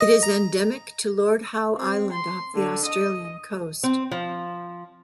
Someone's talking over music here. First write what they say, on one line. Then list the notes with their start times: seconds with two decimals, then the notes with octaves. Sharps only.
It is endemic to Lord Howe Island off the Australian coast.
0.01 D#5
0.23 A#5
1.78 C4
2.13 C6
2.54 D3
2.84 D#5
3.84 C4
4.11 F3